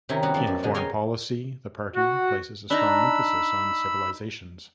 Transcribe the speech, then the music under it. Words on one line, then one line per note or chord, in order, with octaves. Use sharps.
In foreign policy, the party places a strong emphasis on civilizations.
C3 D#3 C#4 D#4 E4
G3 B3 F#4
F3 A4 D5
F#2
B2 D3 G#3
A#4 C5 C#5 F5 G5 G#5
F#4
D4 D#4 A#5 B5 E6